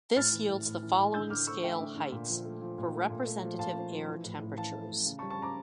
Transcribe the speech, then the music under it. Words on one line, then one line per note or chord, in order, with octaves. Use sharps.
This yields the following scale heights for representative air temperatures.
A2 F6 A6
E3
A2
A2
E3
A2
D3 E6 G6
D3 D6 F6
A3 C#6 E6
A3 E5 G5
D3
D3
A#2
F3
A3
F3
A#2
A3
A#2
A3
F3
A#2 F5 A5
F3
F3
E3
A2
A2
E3 F5 A5
A3
A2
C#3
A5 C#6
G3
A5 C#6
C#3 A#5 D6